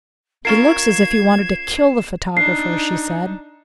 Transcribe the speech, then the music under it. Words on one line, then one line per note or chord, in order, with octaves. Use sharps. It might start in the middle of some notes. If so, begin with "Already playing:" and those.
"He looks as if he wanted to kill the photographer," she said.
C#4 F4 A#4 G#6 C7 E7
D4 D#4 C7